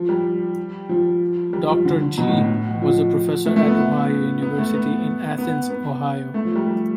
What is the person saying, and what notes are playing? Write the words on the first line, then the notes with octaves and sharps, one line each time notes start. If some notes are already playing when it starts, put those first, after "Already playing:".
Doctor Gyi was a professor at Ohio University in Athens, Ohio.
Already playing: F3
G3
F3
G3
F3
D3
D3
B2
A2
A2
F3
A3
A3
B3
B3
A3
B3
B3
B3
A3
F3
G3
G3